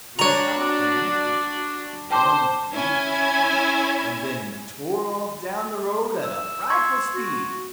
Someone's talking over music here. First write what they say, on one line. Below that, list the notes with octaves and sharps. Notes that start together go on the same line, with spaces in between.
He stopped an instant, one brief instant, and then tore off down the road at a frightful speed.
D4 F#4 C#5 A#5
C5 G5 A5 D6
C#4 E4 G#5 G#6
E6
C6 C#6 G#6
F#4